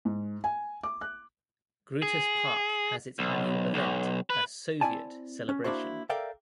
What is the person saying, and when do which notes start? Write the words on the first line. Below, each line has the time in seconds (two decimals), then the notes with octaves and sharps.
Grutas Park has its annual event - a "Soviet" celebration.
0.05 G#2
0.44 G#5
0.83 D6
1.01 F#6
2.02 G#4
3.19 B1
3.74 B1
4.30 B4
4.81 C4 E4 D5 G#5 A5
5.49 C#4
5.64 A#3 D4 E4 F#4 C5
6.09 A4 A#4 D5 E5 F5 G5